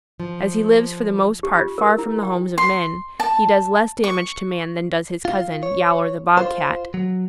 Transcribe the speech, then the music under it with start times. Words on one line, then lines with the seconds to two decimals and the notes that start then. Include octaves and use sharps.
As he lives for the most part far from the homes of men, he does less damage to man than does his cousin, Yowler the Bob Cat.
0.20 F3
1.43 G4
1.56 F4
1.78 A#4
1.98 E4
2.23 G5
2.58 C6
3.20 A5
4.04 C#6
5.25 F4
5.63 C#5
6.37 F4 C5
6.94 F#3